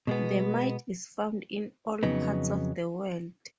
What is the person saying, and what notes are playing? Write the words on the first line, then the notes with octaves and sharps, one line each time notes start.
The mite is found in all parts of the world.
B2 G#3 B3
F2 C#3 F#3 B3 D#4